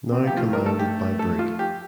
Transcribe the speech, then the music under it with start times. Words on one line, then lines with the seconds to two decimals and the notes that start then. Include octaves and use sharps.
Now commanded by Brig.
0.11 C4
0.24 A#3 G4
0.38 A3 F4
0.53 A#4
0.66 A4
0.79 G4
1.19 A4
1.39 F4
1.59 G4